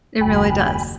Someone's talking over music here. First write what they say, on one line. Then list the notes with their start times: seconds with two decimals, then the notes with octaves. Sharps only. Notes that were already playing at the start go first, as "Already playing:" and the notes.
It really does,
0.21 F#1 D#2 G5 G#5 B5